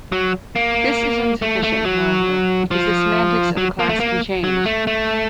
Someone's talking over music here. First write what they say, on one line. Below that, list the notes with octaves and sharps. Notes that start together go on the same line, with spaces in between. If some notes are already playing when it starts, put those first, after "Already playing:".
This is insufficient, however, because the semantics of a class can change.
F#3
A#3
A3
A3
F#3
F3
F#3
A#3
A3
A#3
F#3
A3
A3